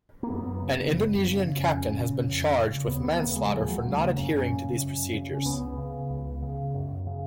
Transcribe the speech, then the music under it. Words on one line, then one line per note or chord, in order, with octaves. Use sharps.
An Indonesian captain has been charged with manslaughter for not adhering to these procedures.
A#3
F#2 B3
C#3
F#2
C#3
F2 C#4
C#3
F2
C#3
D#2 B3
B3
C#3 A#3
G#3
D#2 F3
G#3
F#3
C#3
A#3
F#2 C#4
C#4
C#3
F#2
C#3
C#4
C#2 B3
C#3
C#2
C#3
F#2
C#3